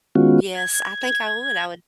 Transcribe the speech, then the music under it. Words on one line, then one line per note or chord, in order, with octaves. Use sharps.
Yes, I think I would I would
D#3 G#3 B3 C#4 F4 F#4
G#6